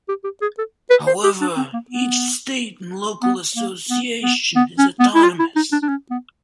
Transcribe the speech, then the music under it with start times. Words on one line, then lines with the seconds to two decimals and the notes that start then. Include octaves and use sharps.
However, each state and local association is autonomous.
0.08 G4
0.24 G4
0.42 G#4
0.58 A4
0.90 B4
1.07 C5
1.24 G4
1.41 D4
1.56 C4
1.73 A#3
1.90 B3
3.22 B3
3.56 A#3
3.90 B3
4.23 B3
4.56 B3
4.78 C#4
4.99 B3
5.15 E4
5.22 F4
5.39 E4
5.56 D#4
5.72 D4
5.82 D4
5.89 C#4
6.10 B3